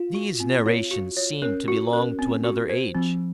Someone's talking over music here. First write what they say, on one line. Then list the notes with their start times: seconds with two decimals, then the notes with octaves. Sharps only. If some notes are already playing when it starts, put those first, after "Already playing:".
These narrations seemed to belong to another age.
Already playing: F4
0.15 F#4
0.40 C4
0.66 F4 C#5
0.91 F#4
1.17 C#5
1.42 C#4 A#4
1.68 F#4
1.93 A#4
2.19 C4
2.44 F#4
2.70 C5
2.95 F3 C4